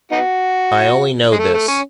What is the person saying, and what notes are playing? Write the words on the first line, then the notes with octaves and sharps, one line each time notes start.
I only know this.
B3 D#4 F#4
G#3
A3
A3
C#4